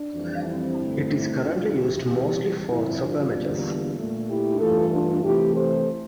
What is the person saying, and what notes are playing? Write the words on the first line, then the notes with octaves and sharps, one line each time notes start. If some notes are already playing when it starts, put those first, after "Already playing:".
It is currently used mostly for soccer matches.
Already playing: D4
F2 E3 G3
C4 E4
G2 D3 A3
E2 D3 F3 D4 F4
E4 G4
C3 E3 G3 E4 G4
G2 D3 F3 C4 E4
D4 F4
E2 D3 G3 A#3
A#2 A3
E4 G4
G2 E3 A3 F4 A4
D4 F4
C3 E3 A3 E4 G4
A4 C5